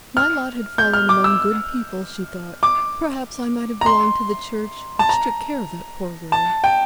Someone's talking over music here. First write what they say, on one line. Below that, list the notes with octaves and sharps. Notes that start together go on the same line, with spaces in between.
"If my lot had fallen among good people," she thought, "perhaps I might have belonged to the Church which took care of that poor girl."
F6
G6
F6
D6
E6
D6
A#5
C6
A5
A#5
A5
G5